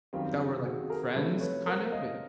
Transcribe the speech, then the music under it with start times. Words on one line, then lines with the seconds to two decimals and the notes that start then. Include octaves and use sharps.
that we're, like, friends, kind of, but
0.13 F#2 D#3 G3 C4 F4 G4
0.64 F#4 G#4
0.89 G#4 A#4
1.15 C3 F3 A3 C4 A4 B4
1.41 B4 C#5
1.66 A#4 C5
1.92 D#5 F5